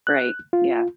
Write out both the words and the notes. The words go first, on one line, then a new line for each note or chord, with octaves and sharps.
Right. Yeah.
F#6
F4